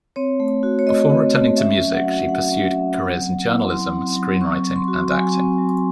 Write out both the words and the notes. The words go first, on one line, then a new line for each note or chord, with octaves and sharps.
Before returning to music, she pursued careers in journalism, screenwriting and acting.
C4 C#5
A3
F#4
C#5
A3 D#5
C4
A3
C#4 E5
F#3
F#5
F#4
F#3 F#5
C#4
E5
F#3
C4 F#5
F#3
E4
F#3 C6
C4
F#3
C4 C#6
F#3
C6
F#4
F#3 G#5
C4
F#3